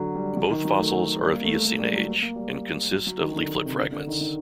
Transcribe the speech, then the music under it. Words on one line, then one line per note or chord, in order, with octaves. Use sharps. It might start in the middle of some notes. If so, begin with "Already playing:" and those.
Both fossils are of Eocene age, and consist of leaflet fragments.
Already playing: D3 F#3
G3
F#3
D#3
F#3
A3
G3
A#3
A3
A3
G3
F#3
A#3
A#3
G3
F#3
F#3
D#3
D3
D3
C3
D3
D3
D#3
D#3